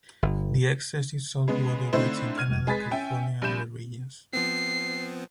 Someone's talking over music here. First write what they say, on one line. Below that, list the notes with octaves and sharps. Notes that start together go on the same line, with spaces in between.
The excess is sold to other grids in Canada, California and other regions.
G1
C#3 G#3 B3
D3 A3 C4 D#4 E4 C5
F6 G#6 D#7
G#3 G#4 B4 A6 B6
C#4 E5 G5 G#5
A#1 G3 B5 G6 E7
F3 B3 C4 C7